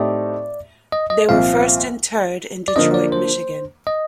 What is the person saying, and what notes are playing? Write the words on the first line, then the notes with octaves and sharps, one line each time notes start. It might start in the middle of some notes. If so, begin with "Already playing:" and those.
They were first interred in Detroit, Michigan.
Already playing: A2 A3 C4 D#4 G4 D5
D#5
D#5
C2 A#2 F3 F5
D5
D3 F3 A#3 D#5
D5
C5
D#5